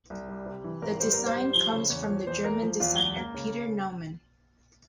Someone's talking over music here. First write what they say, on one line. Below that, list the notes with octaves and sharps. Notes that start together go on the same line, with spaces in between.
The design comes from the German designer Peter Naumann.
C2
G3
C3
E3
G#1 A#4
G3 C5
A#4
G#1
C5
G3
F3
C#3
E2 C#5
F3
E2 C5
A#3 A#4
F3
E2 F4
C#2
A#3
C#3